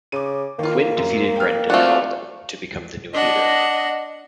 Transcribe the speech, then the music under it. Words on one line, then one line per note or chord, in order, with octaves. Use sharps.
Quinn defeated Brendan Howlin to become the new leader.
C#3 D6 D#7
D#3 A#3 F4
F#2
G5 F6
F3 A3 C4 F4 F#4 D5 F5
D4 D#5 F#5